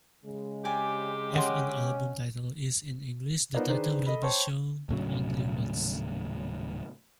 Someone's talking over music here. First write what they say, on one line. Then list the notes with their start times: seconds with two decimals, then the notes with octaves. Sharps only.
If an album title is in English, the title will be shown only once.
0.24 C#3 G#3
0.65 C3 G4 D5 G#5
1.34 C#4 D#5 F#5 C6
3.54 B3 D#4 F4 A#4 C5 D5
3.69 D#3 D4 D#4 G#4 B4 C5
4.06 A4 D#5 B5
4.23 C5 C#5 G5 A5 C6 C#6
4.89 D#1 A2 C#3 F#3